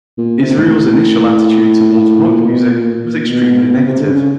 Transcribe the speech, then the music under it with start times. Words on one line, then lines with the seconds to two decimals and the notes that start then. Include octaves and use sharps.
Israel's initial attitude toward rock music was extremely negative.
0.18 A#2
0.41 C3
0.58 G#2
0.63 A2
2.25 A#2
2.48 B2
2.71 A#2
2.94 A#2
3.29 B2
3.63 B2
3.86 C3
4.00 D3
4.09 C#3